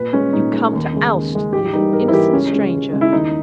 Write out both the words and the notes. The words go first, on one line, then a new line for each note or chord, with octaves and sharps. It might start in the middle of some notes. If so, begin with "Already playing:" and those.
'You come to oust the innocent stranger.
Already playing: A#2 B4
G#3 C#4
A#2 D#4
G#3
D#2
C#3 G#3
D#2
C#3 G#3
G#2 G4
E3 G3 A#3 D#4
G#2 A#4
E4
E3 G3 A#3 G4
C#2 C#4
C#3 G#3
C#2
C#3 G#3
E4
D#2 D#4